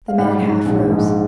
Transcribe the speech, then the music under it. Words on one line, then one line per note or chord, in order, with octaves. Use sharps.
The man half rose.
F5
G#2 F#5
G#2
A#1
G#2